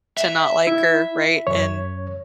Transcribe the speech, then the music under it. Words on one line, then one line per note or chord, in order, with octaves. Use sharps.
to not like her, right, and
E5
E4
F#2 C#5